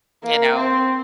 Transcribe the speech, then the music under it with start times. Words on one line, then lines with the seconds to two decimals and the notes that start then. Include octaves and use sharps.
you know,
0.24 A#3
0.55 C4